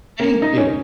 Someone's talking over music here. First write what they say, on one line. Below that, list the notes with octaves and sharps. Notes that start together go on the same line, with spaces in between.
Thank you.
A#3
D#4
C#4